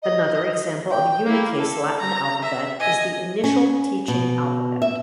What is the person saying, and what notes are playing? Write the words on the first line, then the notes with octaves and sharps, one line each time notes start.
Another example of unicase Latin alphabet is the Initial Teaching Alphabet.
D#5
G5
A#3 E4
A4
A#5
E5
D#5 G#5
C#4
B2
E5